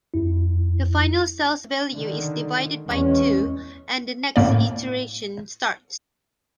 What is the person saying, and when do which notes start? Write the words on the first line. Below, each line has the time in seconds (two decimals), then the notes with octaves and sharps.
The final cell's value is divided by two, and the next iteration starts.
0.14 F2 E4
1.92 D3 D#3
2.87 E2 G#3 C#4
4.36 A2 A#3 D5